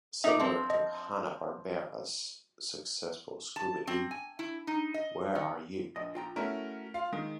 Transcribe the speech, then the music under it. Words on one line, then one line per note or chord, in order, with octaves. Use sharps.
Similar to Hanna-Barbera's successful Scooby-Doo, Where Are You!
D#4 D5 E5
F3 C4
D#5
A5
C4
G#5
E4
D#4
D#5
D#3
A#1 D#5
F4 G5 A#5
A3 C#4 E4 F#4 A#4
F4 F5
D#3 G#3